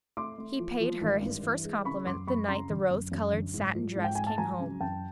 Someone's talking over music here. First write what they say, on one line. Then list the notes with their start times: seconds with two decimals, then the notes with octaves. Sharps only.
He paid her his first compliment the night the rose-colored satin-dress came home.
0.17 A3 C6 D6
0.38 A3
0.59 F3
0.80 F3
1.01 G#1
1.22 G2
1.43 E3
1.65 G#3
1.85 C#3 B5 C#6
2.06 F#2 C6 D6
2.27 F#2 B5 C#6
2.48 C#3 A#5 C6
2.70 G1
2.91 F#2
3.11 F#2
3.33 G1
3.54 G#2
3.75 F3
3.96 G#2
4.04 G5
4.15 G#2 G#5
4.27 A5
4.38 F#3 G#5 A#5
4.60 C#3
4.80 F#2 G5 A5